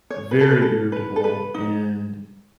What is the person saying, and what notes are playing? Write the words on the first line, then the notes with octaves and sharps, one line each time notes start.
very irritable, and,
C#5
B4
A4
B4
A4
B4
A4
B4
D#4